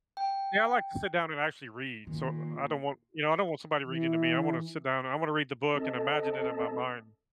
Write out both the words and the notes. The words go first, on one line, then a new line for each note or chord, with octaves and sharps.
Yeah, I like to sit down and actually read, so I don't want you know, I don't want somebody reading to me, I wanna sit down, and I wanna read the book and imagine it in my mind
G5
A#2 D#3
E3
C4 A4 D#5 A5